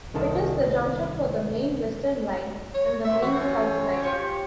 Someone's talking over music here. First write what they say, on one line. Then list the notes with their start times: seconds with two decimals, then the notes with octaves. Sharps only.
It is the junction for the Main Western line and the Main South line.
0.14 C2 D#3 A4 A5
2.74 C#5
3.04 A2 C3 E5
3.22 E2 C3 F#4
3.40 C#4
4.02 F4 G4 C#5